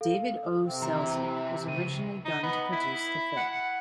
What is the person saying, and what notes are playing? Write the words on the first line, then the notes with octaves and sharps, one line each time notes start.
David O. Selznick was originally going to produce the film.
A4 F5
C3 C4
E3 A#5
C#2 D#7
D#4
B3
E4
F#5